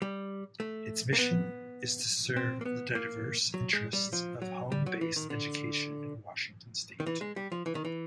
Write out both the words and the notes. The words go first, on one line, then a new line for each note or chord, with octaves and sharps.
Its mission is to serve the diverse interests of home-based education in Washington State.
G3
A3
A#3
B3
C4
A#3
B3
A#3
F#3
G#3
G3
F3
F#3
G3
F#3
E3
D#3
D3
D#3
E3
G#3
G3
F3
E3
D#3
E3